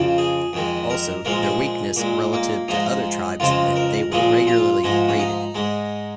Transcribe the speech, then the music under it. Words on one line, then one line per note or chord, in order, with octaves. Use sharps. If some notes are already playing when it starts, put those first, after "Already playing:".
Also, their weakness relative to other tribes meant they were regularly raided.
Already playing: F2 C#3 F3
G#4
F2 D#3 G#3
A#4
A#2 F3 G#3 A#4
G#4
A#2 G#3
A#3
G#2 F3 G#3 D#4
F2 C#3 F3 G#3 F4
A#4
A#2 F3 G#3 G#4
F4
G#2 F3 G#3
C#4
D#4
G#2 G#3